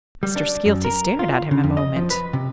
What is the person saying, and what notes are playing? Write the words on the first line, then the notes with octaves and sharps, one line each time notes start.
Mr. Skeelty stared at him a moment.
G3
D4
F#2
A#4
F4
C#3
F2
D#5
F3
B4
C3